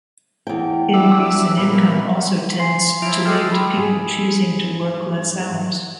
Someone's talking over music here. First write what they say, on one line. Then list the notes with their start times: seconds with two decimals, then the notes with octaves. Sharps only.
Increase in income also tends to lead to people choosing to work less hours.
0.47 E2 G5
0.94 D4 E4
1.57 A#2 B3
2.59 G#5 C6 C7
3.02 F3 F#3 E4 E5 D7 F7
3.25 G#3 A4 D#5 G5 C6 D6 D#6 F6
3.49 B5 E6
3.77 G#2 G#4 B5